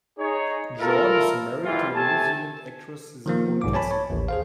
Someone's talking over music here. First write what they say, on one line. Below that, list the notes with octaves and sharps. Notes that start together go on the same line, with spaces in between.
Jordan is married to a New Zealand actress Simone Kessell.
D#4 G#4 C#5
A3 E4 F4 A4 A#4
F#1 G#2 E3 G3 F4
C3 A3 G4 G#5 A5
D#3 F3 A#3
B1 G#2 D6
C#5 G#5 A5 B5
C#5
A1 D#2
G#4 C5 F5